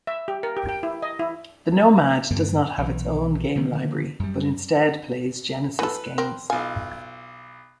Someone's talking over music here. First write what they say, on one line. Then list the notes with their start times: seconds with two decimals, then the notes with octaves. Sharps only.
The Nomad does not have its own game library, but instead plays Genesis games.
0.07 E5
0.28 G4
0.43 A#4
0.57 G4
0.69 G5
0.83 E4
1.02 D#5
1.19 E4
2.31 G2 D3 B3
2.78 B1 E3
3.56 D3 D#3 F3 A#3
4.19 F#2 G3
5.79 E3 A4 B4
6.18 C4 A#4
6.50 B1 F4 G#5